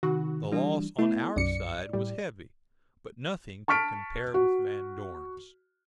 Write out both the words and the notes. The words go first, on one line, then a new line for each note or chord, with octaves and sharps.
The loss on our side was heavy, but nothing to compare with Van Dorn's.
C3 D#3 F#4
E3 G3 D4
A3 B3 E4
B1 F#2 D5 C#7
A2 G3
A5 C#6 F6 B6 D7
F#4